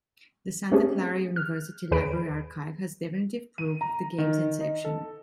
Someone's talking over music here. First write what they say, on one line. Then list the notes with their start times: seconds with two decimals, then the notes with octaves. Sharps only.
The Santa Clara University Library Archive has definitive proof of the games inception.
0.72 A3 C4 C#4 G4 G#4
1.36 F6
1.91 D#2 G#4 B4 D7
3.58 D#7
3.81 A#5
4.18 D#3
4.61 D#4
4.85 A4